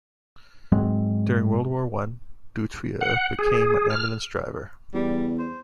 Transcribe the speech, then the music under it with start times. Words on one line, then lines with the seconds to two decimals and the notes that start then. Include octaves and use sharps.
During World War One Dutrieu became an ambulance driver.
0.72 G#2 F#3 G#3 C4
3.01 F#5
3.39 G#4
3.90 F6
4.94 E2 G3
5.39 C5